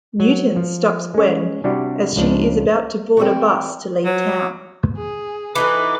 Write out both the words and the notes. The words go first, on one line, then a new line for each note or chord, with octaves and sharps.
Newton stops Gwen as she is about to board a bus to leave town.
F#3
F3
G#3 C#4
C3 G3 D4 E4 F#4 G4
C#2 C#3 F3 D4
E3 G3 A3 C4 G4 D5
F#3
G#4
E3 D#4 F#4 A4 B4 D6